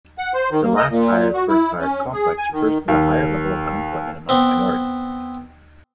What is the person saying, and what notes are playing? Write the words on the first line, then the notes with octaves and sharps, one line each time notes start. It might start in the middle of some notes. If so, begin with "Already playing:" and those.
The "last-hired, first-fired complex" refers to the higher level of unemployment among minorities.
F#5
C5
D#3
A#3
D#5
A#2
F#4
E4
C#4
G#4
G#5
D#3
D#2
B3 C4